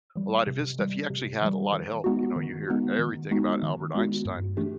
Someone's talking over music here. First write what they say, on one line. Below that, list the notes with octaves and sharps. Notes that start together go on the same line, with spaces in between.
a lot of his stuff he actually had a lotta help you know, you hear everything about Albert Einstein,
E3 G3
C3
E3 G3
C3
E3 G3
D#3
G#3 B3 D#4 F#4
D#3
G#3 B3 D#4 F#4
D#3
G#3 B3 D#4 F#4
D#3
G#3 B3 D#4 F#4
G2
E3 A3 D4 G4